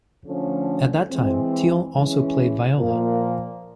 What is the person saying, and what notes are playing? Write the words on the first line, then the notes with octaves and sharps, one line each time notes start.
At that time Thiel also played viola.
D3 F3 A3 C#4
E3 G#3 C4
E3 G#3 C#4
A#2 F3 A#3